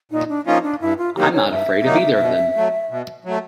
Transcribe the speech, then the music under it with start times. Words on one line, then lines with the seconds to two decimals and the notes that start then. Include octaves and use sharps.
I'm not afraid of either of them.
0.11 A#2 D#4
0.29 D4
0.47 F3 A#3 C#4 D#4 F4
0.63 D4
0.81 G2 E4
0.98 F4
1.16 D#3 F#3 A#3 D#4 G4
1.33 C#5
1.51 G2 E5
1.85 D#3 F#3 A#3 D#4
2.20 B2
2.56 F#3 A3
2.90 B2
3.25 F#3 A3